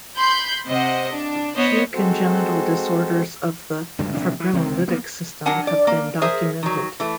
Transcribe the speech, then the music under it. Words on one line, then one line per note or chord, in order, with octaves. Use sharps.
Few congenital disorders of the fibrinolytic system have been documented.
B5 C6 G6
C3 C5 D#5 F#5
D4
B3 C5 C#5 D#5
G#3 C4 F#4 A4 C5
C#2 G2 D3 F#3
A#1 C3 D4
E3
C#2 C3 G#3 C4
D2 A#3 B3
F#3 D4 A#4 F#5 G#5
D5
A#3
G#4 A#4 C5 E5
D#3 F#3
E3 A3